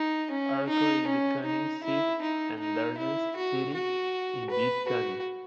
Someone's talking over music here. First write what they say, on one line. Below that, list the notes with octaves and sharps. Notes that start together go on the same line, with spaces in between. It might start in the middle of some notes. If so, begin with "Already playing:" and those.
Arco is the county seat and largest city in Butte County.
Already playing: D#4
C#4
D#4
C#4
D#4
E4
D#4
D#4
E4
F#4
F#4
B4
F#4